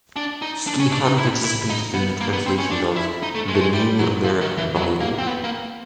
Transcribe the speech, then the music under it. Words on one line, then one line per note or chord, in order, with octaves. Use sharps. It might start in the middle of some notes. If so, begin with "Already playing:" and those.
Skehan participated in the translation of the "New American Bible".
D4
D#4
D4
C#4
D4
D#4
E4
E4
D#4
B3
A#3
B3
C4
C#4
D4
E4
D#4
A3
G#3
A3
G#3
G3
F#3
F3
D#3
E3
F#3
A#3
C4
B3
A#3